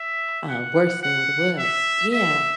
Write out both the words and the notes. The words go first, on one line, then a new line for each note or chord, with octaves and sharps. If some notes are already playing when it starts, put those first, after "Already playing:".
uh, worse than what it was Yeah.
Already playing: E5
F#5
F#5
E5
E5